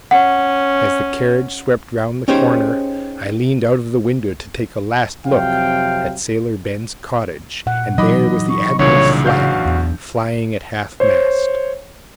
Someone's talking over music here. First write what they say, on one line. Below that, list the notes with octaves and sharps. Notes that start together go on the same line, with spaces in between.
As the carriage swept round the corner, I leaned out of the window to take a last look at Sailor Ben's cottage, and there was the Admiral's flag flying at half-mast.
C#4 F#5
C#4 D#4 G4 G#4 C5 C#5
F2 C3 F#3 F5 G5
A#2 F#5
E3 F#3 D#4 D#5 B5 D6
C#6
C2 A#2 C#3 E3 D4 C#5
A1 F#4 F5 G6
E2
C5 C#5